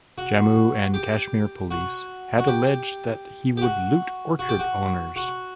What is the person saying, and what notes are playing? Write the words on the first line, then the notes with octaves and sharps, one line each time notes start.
Jammu and Kashmir Police had alleged that he would "loot orchard owners".
F#4
G4
F#4
F#4
G4
G4
F#4
F#4
G4
F#4
F#4